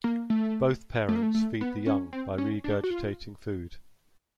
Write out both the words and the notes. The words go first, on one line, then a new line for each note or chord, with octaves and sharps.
Both parents feed the young by regurgitating food.
A#3
A3
A3
A#3
A3
A3
B3
C#4
C4
C#4
D4
F#4
F4